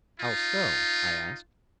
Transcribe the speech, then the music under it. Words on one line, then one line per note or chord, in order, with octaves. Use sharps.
"How so?" I asked.
D#4 F4